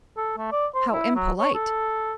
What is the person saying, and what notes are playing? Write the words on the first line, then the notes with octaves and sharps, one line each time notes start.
"How impolite."
A4
A3
D5
C5
E4
F#3
C#5
A4